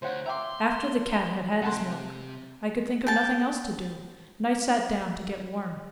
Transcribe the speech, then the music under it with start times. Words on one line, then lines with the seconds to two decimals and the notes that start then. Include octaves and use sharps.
After the cat had had his milk, I could think of nothing else to do, and I sat down to get warm.
0.02 D2 C5 C#5 F#5
0.26 E5 G5 A#5 C6 D6
1.62 C3 F#5 A5 C6
3.07 G5 A5